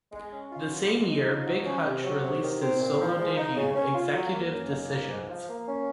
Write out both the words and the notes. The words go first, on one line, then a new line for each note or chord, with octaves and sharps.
The same year, Big Hutch released his solo debut, Executive Decisions.
G#3
C#4
F4
F#3
G#3
D#4
F3
F#3
C#4
C3
F#3
C3
D#3
C4
A#2
F3
G#3
D#4
C#3
C#4
F4
F#3
A#3
F#2
D#3
A#3
G#2
F3
A#3
C#4